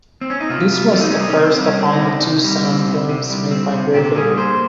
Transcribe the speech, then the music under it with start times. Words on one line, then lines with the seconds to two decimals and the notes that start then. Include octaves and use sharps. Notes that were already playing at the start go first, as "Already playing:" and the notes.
This was the first of only two sound films made by Griffith.
0.21 C4
0.30 C#4
0.41 D#4
0.50 C3 F4
0.71 G3
0.93 C4 F4
1.02 D#4
1.11 C#4
1.15 C3 D#4
1.29 C#4
1.36 C3 C4
1.55 G3 C4
1.65 C#4
1.79 C4
1.93 D#4
2.01 C3
2.21 C3
2.44 G3
2.65 C4
2.87 C3
3.09 C3
3.30 G3
3.51 C4
3.72 C3
3.94 A#2 G4
4.16 G3 G#4
4.37 A#3 C5